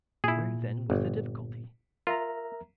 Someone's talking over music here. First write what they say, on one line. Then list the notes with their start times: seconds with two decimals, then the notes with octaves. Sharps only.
Where then was the difficulty?
0.24 A#2 E4 G#4
0.90 G1
2.07 F4 A#4 E5 A#5